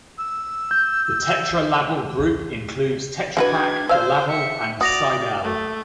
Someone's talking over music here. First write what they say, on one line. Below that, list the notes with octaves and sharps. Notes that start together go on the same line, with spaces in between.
The Tetra Laval Group includes Tetra Pak, DeLaval and Sidel.
E6
G6
G#3 D4 F#4 B4 G#6
F3 C5 F5 E6
E5 C#7
F#4 D5 D#6 A#6 F7
A3